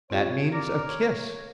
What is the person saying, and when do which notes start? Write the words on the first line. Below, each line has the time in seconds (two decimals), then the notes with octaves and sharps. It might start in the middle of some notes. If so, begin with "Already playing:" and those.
"That means a kiss!"
0.10 C4 F4 G4 C#5
0.52 A#4 D5 A#6
0.87 C#5